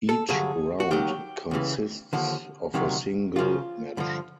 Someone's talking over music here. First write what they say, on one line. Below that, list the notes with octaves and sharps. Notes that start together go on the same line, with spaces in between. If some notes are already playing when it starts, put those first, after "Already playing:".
Each round consists of a single match.
A4
G2 D3 F#3 G#4
F#4
D#2 D#3 F#3 G4
C#2 C#3 E3
D#2 D3 F3
D2 C3 D#3 F#3
C#2 C#3 F3 F4
G2 D3 F3